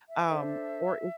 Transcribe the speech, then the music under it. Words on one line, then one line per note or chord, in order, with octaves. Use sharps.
um, or
E5
D4 A4 C5 E5